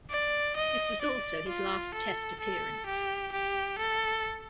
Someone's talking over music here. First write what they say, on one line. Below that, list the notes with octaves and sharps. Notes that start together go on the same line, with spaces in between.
This was also his last test appearance.
D5
D#5
D5
F4
A4
A4
G4
G4
A4